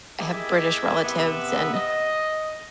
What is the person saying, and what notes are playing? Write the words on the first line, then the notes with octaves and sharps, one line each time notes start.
I have British relatives, and
A#3 E4 G4 G#4 D#5 E5
C3 B3 E5
D#5